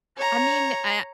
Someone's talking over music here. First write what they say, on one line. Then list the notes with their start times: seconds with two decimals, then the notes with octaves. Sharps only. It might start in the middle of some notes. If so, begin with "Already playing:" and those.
I mean, I
0.17 C#5 A#5